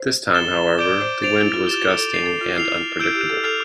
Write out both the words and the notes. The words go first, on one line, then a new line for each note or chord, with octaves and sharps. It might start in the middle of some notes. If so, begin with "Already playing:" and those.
This time, however, the wind was gusting and unpredictable.
Already playing: C5
A6 E7 G7
D5 D6 G6 D7 G7
C5
C5 A6 D7 F7
E4
F4
G4 A6 E7 G7
A4
A4
A6 C7 F7
A4
F4
E4 F6 C7 F7
E4 E6 G6 D7
G4
A4
A4 F6 C7 F7